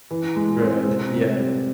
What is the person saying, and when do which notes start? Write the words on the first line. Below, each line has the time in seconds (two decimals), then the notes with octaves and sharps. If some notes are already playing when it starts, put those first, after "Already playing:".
Right, yeah.
0.11 E3
0.36 G#3
0.61 C4
0.87 C3
1.13 C3
1.38 G3